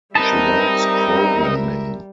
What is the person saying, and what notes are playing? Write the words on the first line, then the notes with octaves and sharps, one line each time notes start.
She likes programming.
G3 C4 D#4 A#4 B4 E5 A5